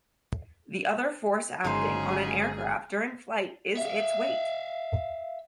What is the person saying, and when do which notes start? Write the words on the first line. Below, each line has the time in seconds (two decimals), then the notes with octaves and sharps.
The other force acting on an aircraft during flight is its weight.
1.64 G1 C#3 F#3 G#3 D#4 G#4 C5
3.77 E5 F5